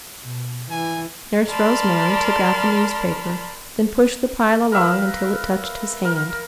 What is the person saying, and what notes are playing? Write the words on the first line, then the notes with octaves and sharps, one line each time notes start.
Nurse Rosemary took out the newspaper; then pushed the pile along, until it touched his hand.
B2
E3 G#5
A#4 D5 A5 B5 C6 F6
A#4 B4 E5 F5
A#4